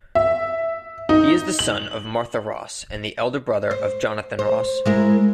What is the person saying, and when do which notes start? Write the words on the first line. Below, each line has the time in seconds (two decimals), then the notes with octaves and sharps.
He is the son of Martha Ross and the elder brother of Jonathan Ross.
0.15 E5
1.09 D#4
1.59 F#7
3.71 C5
4.39 C5
4.86 G#3 E4 A#4